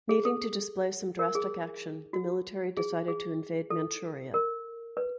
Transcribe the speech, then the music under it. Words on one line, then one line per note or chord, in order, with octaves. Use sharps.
Needing to display some drastic action, the military decided to invade Manchuria.
G#4
A4
A#4
G#4
F#4
G#4
G#4
A4
A#4
B4